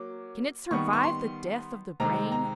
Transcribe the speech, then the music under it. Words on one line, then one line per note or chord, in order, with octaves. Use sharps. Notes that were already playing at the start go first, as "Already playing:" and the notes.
Can it survive the death of the brain?
Already playing: F#3 A#3 D6
D#3 G3 B3 C#6
C#6
C6
C3 D#3 G#3 A#5
A#5